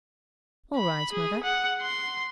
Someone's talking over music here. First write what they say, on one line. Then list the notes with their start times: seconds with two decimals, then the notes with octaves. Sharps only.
'All right, Mother.
0.76 B5
1.13 G#4
1.44 F#5
1.82 C6